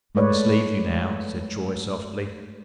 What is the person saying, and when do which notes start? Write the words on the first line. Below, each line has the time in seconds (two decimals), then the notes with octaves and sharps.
"I must leave you now," said Troy, softly.
0.15 G#3 A3 B4 C#5 D5